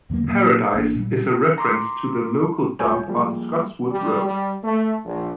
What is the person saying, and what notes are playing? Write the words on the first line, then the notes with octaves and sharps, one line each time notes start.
Paradise is a reference to the local dump on Scotswood Road.
E2 D3 F#3 A#3
A#2 F#3 A#3
A1 A#3 D4
A#2 G3
A#5 C6 D6
D2 G3 F4 C#5 G#5 G6
F3 G3 A#3 G#4
G3
G3
A3
A#1